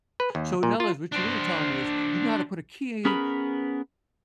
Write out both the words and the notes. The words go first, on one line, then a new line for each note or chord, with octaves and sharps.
"So in other words, what you're really telling me is, you know how to put a key,
B4
D#2
A#2
F4
D4 C5
B3 C#4 G#4 A#4 B4 B5